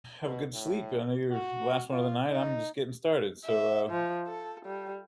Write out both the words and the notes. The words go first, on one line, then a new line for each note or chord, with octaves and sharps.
have a good sleep. I know you're the last one of the night, I'm just getting started. So, uh,
B2
A2
F#4
F4
D#4
E5
F3
A4
G3